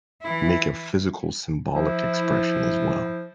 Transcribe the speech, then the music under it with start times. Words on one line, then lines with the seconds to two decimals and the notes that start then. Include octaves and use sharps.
make a physical symbolic expression as well?
0.22 E3 E4
1.74 F3 E4